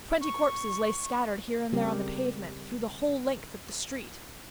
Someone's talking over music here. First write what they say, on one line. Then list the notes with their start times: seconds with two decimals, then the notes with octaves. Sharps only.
Twenty corpses lay scattered here and there on the pavement, through the whole length of the street.
0.22 C#6
1.72 C#3 G3 C4 G4 A#4